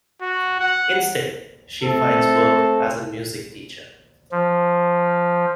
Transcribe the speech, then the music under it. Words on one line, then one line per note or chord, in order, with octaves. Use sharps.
Instead, she finds work as a music teacher.
F#4
F#5
A3 C4 A4
F3